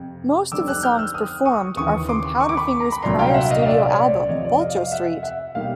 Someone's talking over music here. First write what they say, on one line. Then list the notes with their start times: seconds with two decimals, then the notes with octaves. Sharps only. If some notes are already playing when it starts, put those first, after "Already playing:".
Most of the songs performed are from Powderfinger's prior studio album; "Vulture Street".
Already playing: F2 C3
0.52 F2 D3 G3 C4 D#4 D6 E6
0.67 E6 F#6
0.83 F6 G6
0.99 E6 F#6
1.14 D#6 F6
1.45 C#6 D#6
1.77 D#2 C#3 E3 C#6 D#6
2.09 C6 D6
2.40 C#6
2.49 D6
2.57 B5 C#6
2.80 A#5
2.92 B5
3.03 C2 A#2 F#3 A3 D4 A#5 C6
3.19 F5 G5
3.34 E5 F#5
3.50 D#5 F5
3.62 F5
3.66 D5 E5
3.92 C#5
3.97 D5
4.29 F2 C3 F3 C#5 D#5
4.45 D5
4.60 D#5 F5
4.76 D#5 F5
4.92 E5 F#5
5.23 E5 F#5
5.55 B2 G3 A#3 D#4 F5 G5